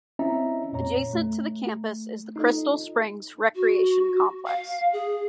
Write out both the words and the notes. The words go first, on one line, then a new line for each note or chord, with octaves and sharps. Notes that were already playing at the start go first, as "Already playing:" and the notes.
Adjacent to the campus is the Crystal Springs recreation complex.
C4 C#4 E4 D#5 E5 A#5
F2 A#2 C#5 A#5
A3
D#4 F4 A4 D#5
F#4
F5
G#4